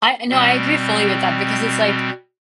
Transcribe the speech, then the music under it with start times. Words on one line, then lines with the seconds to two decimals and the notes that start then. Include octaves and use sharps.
I I know, I agree fully with that because it's, like,
0.31 B2 G3 C4